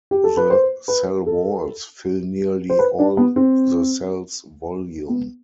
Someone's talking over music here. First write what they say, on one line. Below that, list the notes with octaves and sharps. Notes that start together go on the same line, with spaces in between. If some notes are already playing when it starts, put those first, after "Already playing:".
The cell walls fill nearly all the cell's volume.
G4
A4
B4
C5
B4
A4
C5
B4
D4
B3
C4
B3